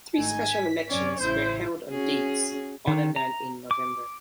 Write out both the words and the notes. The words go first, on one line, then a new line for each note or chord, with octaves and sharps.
Three special elections were held on dates other than in November.
G#1 A3 D#4 G#5
B6
F#2 C4 C#4 C#5 D5
A1 C#3 E4 C5 G6
C#4 F#4 G#4
D#3
A#5
D6